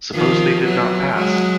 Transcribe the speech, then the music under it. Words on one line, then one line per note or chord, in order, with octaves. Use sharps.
Suppose they did not pass!
D#3 F3
E3 F#3
F#3 G#3